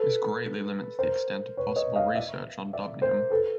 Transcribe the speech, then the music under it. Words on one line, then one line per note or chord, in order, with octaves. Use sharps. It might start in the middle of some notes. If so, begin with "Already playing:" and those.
This greatly limits the extent of possible research on dubnium.
Already playing: A4 B4
A#4 C5
B4 C#5
C#5 D#5
D#5 F5
D5 E5
D5 E5
A#4 C5
A4 B4